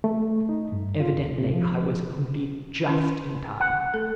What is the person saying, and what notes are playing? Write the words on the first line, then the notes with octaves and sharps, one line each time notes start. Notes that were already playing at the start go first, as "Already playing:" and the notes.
Evidently I was only just in time.
A3
D#4
G2
F4
D#2
C3
F3
D#3 C#4 E4
F#5
A3 A4